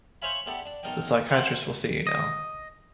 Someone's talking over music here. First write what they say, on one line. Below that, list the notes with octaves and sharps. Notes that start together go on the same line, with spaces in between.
The psychiatrist will see you now.
C5 C#5 E5 F5 G#5 B5
B3 D4 E4 G4 A4
D4
B1 A4 A#4 D#5 G5
C5 F5 F#5 A5 C6
D#5